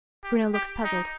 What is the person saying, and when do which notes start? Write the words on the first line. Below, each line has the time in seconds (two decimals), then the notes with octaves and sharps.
Bruno looked puzzled.
0.24 G4
0.54 G4
0.84 D#4